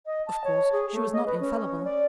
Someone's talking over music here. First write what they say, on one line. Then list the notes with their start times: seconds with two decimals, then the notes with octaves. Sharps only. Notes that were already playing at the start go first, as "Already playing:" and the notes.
Of course she was not infallible.
0.06 D#5
0.27 A5
0.44 C#5
0.72 G#4
0.93 A3
1.13 D#5
1.26 B4
1.40 C#4
1.85 D5